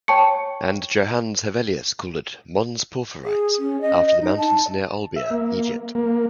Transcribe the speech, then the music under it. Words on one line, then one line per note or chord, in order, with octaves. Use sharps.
And Johannes Hevelius called it "Mons Porphyrites" after the mountains near Olbia, Egypt.
C#5 G5 A5 C#6 C#7
G#4
C#4
D#5
D#5
D#4
A5
E5
A#3
A#3